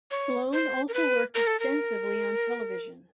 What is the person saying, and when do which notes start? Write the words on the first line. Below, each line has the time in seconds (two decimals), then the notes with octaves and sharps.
Sloane also worked extensively on television.
0.11 C#5
0.53 C5
0.88 A#4
0.94 B4
1.35 A#4
1.47 A4
1.60 A#4